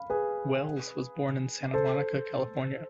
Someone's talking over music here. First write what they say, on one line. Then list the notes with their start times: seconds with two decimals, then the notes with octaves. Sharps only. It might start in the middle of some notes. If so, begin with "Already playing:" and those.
Welles was born in Santa Monica, California.
Already playing: F5 B5
0.10 G#4 B4
1.74 A4 C5